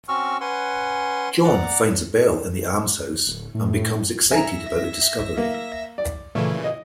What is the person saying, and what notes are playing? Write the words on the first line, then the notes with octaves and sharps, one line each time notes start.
Jon finds a bell in the Almshouse and becomes excited about the discovery.
C4 C#4 F#4 C#6 E6 F6
C#4 B4 F#5 G#5 C6
D5 F#5 A#5 D6
D1
A2
A2
E5 G#5 A#5 A#6
A#3
D5
A#2 C#3 E3 A3
D#5